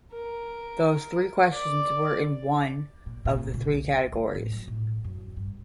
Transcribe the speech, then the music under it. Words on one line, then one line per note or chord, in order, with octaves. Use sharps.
Those three questions were in one of three categories.
A#4
D5
A#2
A#2
C#3
C2
G2
A2
F#3
A2
F#2
G2